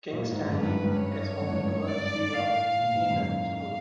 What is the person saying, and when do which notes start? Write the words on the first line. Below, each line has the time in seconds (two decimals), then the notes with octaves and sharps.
King's Stanley is home to a C of E Primary School.
0.13 A#2
0.21 A2
0.31 G#2
0.41 G2
0.50 F#2 B4
0.61 G2
0.73 G#2
0.85 G2
0.96 C#5
1.42 F#2
1.53 G2
1.65 G2
1.76 G#2
1.88 G#2 D5
2.33 A2 F5
2.79 A#2
2.95 G#2
3.10 F#2
3.26 F5